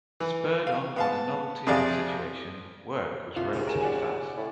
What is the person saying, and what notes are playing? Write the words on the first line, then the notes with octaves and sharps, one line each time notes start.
Spurred on by the novelty of the situation, work was relatively fast.
E3
F5
B3 F5 A5
F2 C3 G#4 D5 F5
C2 F4
D#2 C#3
A#4 G#5 E7
D5 F#5 G#5
A2